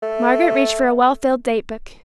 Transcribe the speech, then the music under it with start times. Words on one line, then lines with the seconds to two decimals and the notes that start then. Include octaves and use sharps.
Margaret reached for a well-filled date-book.
0.02 A3